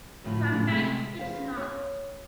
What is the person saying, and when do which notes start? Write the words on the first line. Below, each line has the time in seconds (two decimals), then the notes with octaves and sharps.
Sometimes it's not.
0.24 D2 A2 F3 E4
0.52 F#2 A2 C#3 F3
0.68 C3 G#3 A3
1.19 E2 C5 F5
1.57 C#5